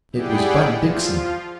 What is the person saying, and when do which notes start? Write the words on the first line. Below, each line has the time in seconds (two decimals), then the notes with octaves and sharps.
It was Bud Dixon.
0.12 E4 G4 G#4 D5 F#5 G5
0.79 F3 F4